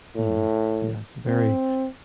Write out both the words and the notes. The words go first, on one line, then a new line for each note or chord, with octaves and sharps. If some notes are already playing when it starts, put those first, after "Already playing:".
Mhm, yes, very,
A2
C4